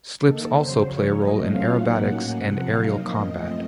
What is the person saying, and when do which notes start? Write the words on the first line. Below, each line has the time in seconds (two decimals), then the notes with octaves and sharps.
Slips also play a role in aerobatics and aerial combat.
0.22 D#3 A#3 D#4 A4
0.53 F2 C#3 F#3 C5
0.84 F#2 C#3 F3 C#5
1.15 A2 F#3 A3 D#5
1.45 C3 F#3 A3 C#4 F4 F5
1.76 A#2 F#3 A#3 D#4 F#5
2.06 A2 F#3 A#3 C#4
2.37 F2 C3 F3
2.67 C3 F#3 A#3 D#4 F5
2.97 A2 F3 A#3 D#5
3.29 F#2 F3 A3 C4